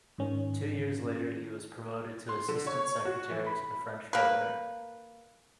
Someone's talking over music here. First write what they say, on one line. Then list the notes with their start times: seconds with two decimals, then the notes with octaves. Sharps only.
Two years later he was promoted to assistant secretary to the French governor.
0.18 G#2 D#3 C#4
2.29 C6
2.48 D3
2.66 C#5
3.05 F#4
3.30 E3
3.46 B5
4.13 A#3 B4